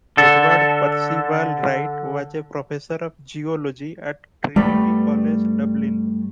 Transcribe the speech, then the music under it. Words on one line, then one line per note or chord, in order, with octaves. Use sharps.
Edward Percival Wright was a professor of Geology at Trinity College Dublin.
D3 A4
G2 G3 A3 B3